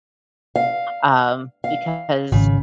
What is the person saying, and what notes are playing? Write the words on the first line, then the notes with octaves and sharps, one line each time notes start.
um, because,
F5
F5
G#1 C#3